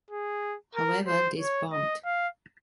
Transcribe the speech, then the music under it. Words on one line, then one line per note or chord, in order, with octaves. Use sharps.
However, this bombed.
G#4
A#4
C5
C#5
D#5
F5